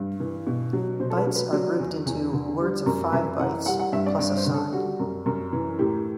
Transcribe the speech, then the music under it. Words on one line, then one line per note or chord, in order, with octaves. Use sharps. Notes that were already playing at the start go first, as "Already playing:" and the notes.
Bytes are grouped into words of five bytes plus a sign.
Already playing: G2
E3
B2
F#3
B2 C5
A4
B4
F#3
B4
F#3 D5
E2
E2
D3
G3
F#2
F#2 E5
E3 F#5
G3 F#5
F#5
G2 E5
D5
G2
C5
D3
A4
G3 F#4
F#2
F#2
E3
A2 G4